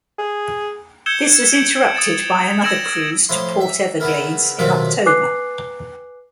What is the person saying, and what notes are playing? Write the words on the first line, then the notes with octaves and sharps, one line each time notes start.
This was interrupted by another cruise to Port Everglades in October.
G#4
E6 G6 G#6 C#7 E7 G7
G#6 C#7 D7 E7 F#7
D#6 A6 E7
E6 G#6 A#6 D7 E7 F#7
A2 F3 E4 C6
E5
C#3 B3 E4 A#4
B1 A2 C3 D#3 F4 E5
B4 G#5 D6 F#6 C7